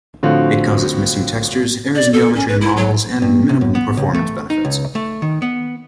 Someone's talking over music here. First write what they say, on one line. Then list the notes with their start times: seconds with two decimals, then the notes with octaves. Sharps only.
It causes missing textures, errors in geometry and models, and minimal performance benefits.
0.23 A2 D3 F3 C4 F4 F#4
1.95 D5
2.13 A4
2.35 C#4
2.48 B4
2.61 E4
2.77 F#3
3.22 G2
3.49 C3
3.61 F#2
3.75 B3
3.97 C#2
4.14 A3
4.50 D#4
4.65 C#2
4.95 A3
5.22 D#3
5.42 B3